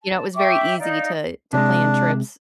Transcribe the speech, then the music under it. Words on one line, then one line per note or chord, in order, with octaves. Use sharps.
you know, it was very easy to to plan trips
A5
E5 G5 C#6 D6
D#4 D5 F5
C3 G#3 D4